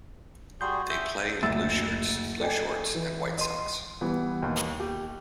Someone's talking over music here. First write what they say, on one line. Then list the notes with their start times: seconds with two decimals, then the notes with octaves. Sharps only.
They play in blue shirts, blue shorts and white socks.
0.61 G3 F#4 G#4 C6 G6
0.90 E5 G6
1.42 F#1 D2 E5 E6 A6
2.40 A4 D5 D#5 G5 G#5
2.95 E3
3.38 D#5 C6
4.01 E3 G3 B3
4.42 D#2
4.80 G4